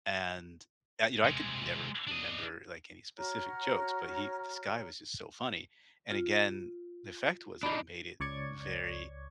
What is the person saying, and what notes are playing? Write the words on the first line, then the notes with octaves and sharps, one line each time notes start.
and, uh, you know, I could never remember, like, any specific jokes, but he This guy was just so funny, and again, the fact was that it made it very
C3 G#3
D4 D#5
F#4 C#5 A#5 F6
F4
D4 D#4 B5
C#2 C#5 D5 C#6 G#6